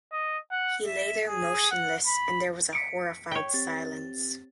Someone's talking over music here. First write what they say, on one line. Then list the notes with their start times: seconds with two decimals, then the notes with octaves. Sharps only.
He lay there motionless and there was a horrified silence.
0.12 D#5
0.52 F#5
0.87 E5
1.28 G#4
1.71 F#5
2.07 B5
2.73 B6 C#7 D7
3.31 C#5 G5
3.54 C4 G4 A6